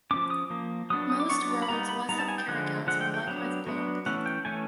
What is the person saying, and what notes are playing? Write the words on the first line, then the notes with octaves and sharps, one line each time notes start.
Most roads west of Caracas were likewise blocked.
F3 A#3 C#4 D6
D#6
F3 A#3
F#3 B3 D4 D#6
D#6
D6
F#3 B3 D4 C#6
D6
B5
G3 B3 D#4 A#5
B5
G3 B3 D#4 A#5
A5
G#5
G5
D3 F3 G#3 F#5
D3 F3 G#3 F#5
G5
G5
F#3 B3 D4
F#3 B3 D4
E3 A3 C#4 F#5
G5
E3 A3 C#4 G#5